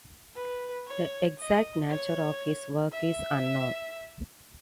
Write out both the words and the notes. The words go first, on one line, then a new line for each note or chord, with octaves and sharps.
The exact nature of his work is unknown.
B4
C#5
D#5
C#5
E5